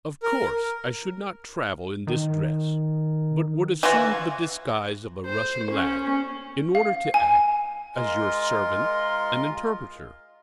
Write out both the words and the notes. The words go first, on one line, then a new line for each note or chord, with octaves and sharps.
Of course, I should not travel in this dress, but would assume the disguise of a Russian lad, in order to act as your servant and interpreter.
A#4
D#3
E3 F4 F#4
C5
C#4
F5
G#5
G#3 F4 A#4